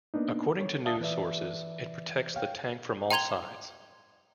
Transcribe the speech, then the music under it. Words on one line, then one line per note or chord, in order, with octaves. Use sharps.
According to news sources, it protects the tank from all sides.
A#3 B3 D4 D#4
C#5
D5 E5 F5 A5 D#6
E3 B4 D5 E5
C#5 F5 G5
G5 A#5 C6 G#6 F7 G7